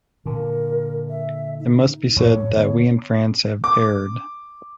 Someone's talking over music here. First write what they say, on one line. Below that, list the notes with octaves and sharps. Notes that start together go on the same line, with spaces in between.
It must be said that we in France have erred.
A#2 D3 A#4
E5
D#4
F2 A2 F#3 C#5
D3 B3
D6